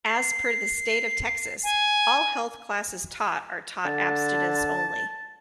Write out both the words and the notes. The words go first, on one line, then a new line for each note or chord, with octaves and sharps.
As per the state of Texas, all health classes taught are taught abstinence only.
C7
G#5
D3 A5